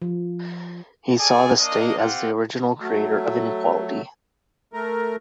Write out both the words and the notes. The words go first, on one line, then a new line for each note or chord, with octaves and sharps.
He saw the state as the original creator of inequality.
F3
G#4 A4 D5 G#5
A#3 D4 D#5
C4 F4 G4 F#5
F#3 A3
A3 A#4